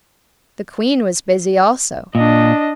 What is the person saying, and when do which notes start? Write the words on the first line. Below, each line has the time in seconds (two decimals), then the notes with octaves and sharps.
The Queen was busy also.
2.15 A#2 D4 D#5